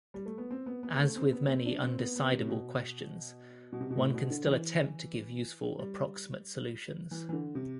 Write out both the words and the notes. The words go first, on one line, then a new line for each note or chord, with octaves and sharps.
As with many undecidable questions, one can still attempt to give useful approximate solutions.
G3
A3
B3
C4
B3
B3
A3
C4
B3
C4
D4
C4
B3
B3
C3
A2
B2
B2
C3
B2
A2
B2
D3
E3
G3
E3
E3
D3
C3